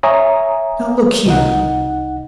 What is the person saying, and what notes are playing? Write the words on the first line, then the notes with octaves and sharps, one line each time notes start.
Now, look here!
C#5 E5 G#5 A#5 D#6
C2 D#4 F#5